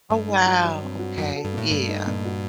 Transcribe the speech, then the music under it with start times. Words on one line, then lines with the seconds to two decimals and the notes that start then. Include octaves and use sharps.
Oh, wow. Okay. Yeah.
0.10 G2 A3
0.28 D#4
0.46 F#4
0.65 F#3
0.83 C4
0.99 F#4
1.17 F#2 F#4
1.36 A4
1.44 G2
1.53 A2 A#3
1.71 G2 A3
1.88 D#4
2.07 A#2
2.25 F#4